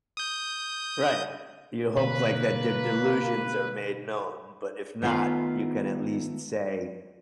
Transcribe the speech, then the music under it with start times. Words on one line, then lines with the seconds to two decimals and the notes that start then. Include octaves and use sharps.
Right. You hope like that the delusions are made known, but if not, you can at least say,
0.17 D#6 G6
1.97 B2 D3 A#3 C4 B4
5.02 D#3 A3 B3 F4 F5